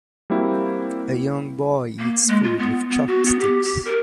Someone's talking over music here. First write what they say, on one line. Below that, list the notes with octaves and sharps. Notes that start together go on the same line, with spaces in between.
A young boy eats food with chopsticks.
G3 A#3 C4 E4 F#4
A#3
G#3
F4
B3
B3
F#4
B3
G4
G4
A#4